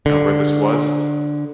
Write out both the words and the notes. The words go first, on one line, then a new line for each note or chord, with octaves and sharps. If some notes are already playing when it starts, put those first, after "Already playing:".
uh, where this was,
D3